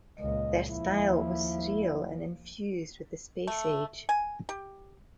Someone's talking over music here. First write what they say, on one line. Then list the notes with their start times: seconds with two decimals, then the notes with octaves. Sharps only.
Their style was surreal and infused with the space age.
0.20 C#2 A#2 D#5
0.67 D#2 F3 E4
3.47 A3
4.09 G#5
4.49 G4